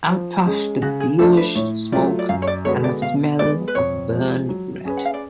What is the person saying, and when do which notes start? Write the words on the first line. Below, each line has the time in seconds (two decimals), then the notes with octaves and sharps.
Out puffed the bluish smoke and a smell of burned bread.
0.08 F3
0.45 G#3 C#4 G#4
0.82 C#3 F#4
1.00 G#4
1.18 F3 A3 D4 A4
1.37 B4
1.56 A2 C#5
1.92 F#3 A3 F4 D5
2.19 D5
2.29 F#2 F5
2.42 C#5
2.47 D5
2.65 D3 G#3 B3 F#4 C#5
2.84 D5
3.02 B2 F5
3.39 G#3 B3 D5
3.68 B4
3.75 F2 C#5
4.12 F3 G#3
4.49 F#3
4.85 C#4 G#4 B4
4.97 F#5
5.05 F5
5.14 D5